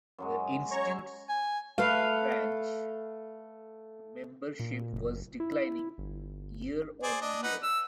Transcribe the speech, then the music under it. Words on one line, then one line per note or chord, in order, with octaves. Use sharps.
The Institute's branch membership was declining year-on-year.
F#2 F#3 G#3
C#5 A#5 C#6
G#5
A3 A4 B4 F5
A#2
F#1
E4
G1
G#4 C5 D5
D4 D#5
D#4 B4 F#5
E6